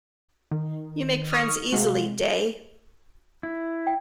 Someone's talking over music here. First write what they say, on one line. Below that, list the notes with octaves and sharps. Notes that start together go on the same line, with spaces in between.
You make friends easily, Day.
D#3
C#6 D#6 F6
C3 G#3 F#4 F5
E4
G5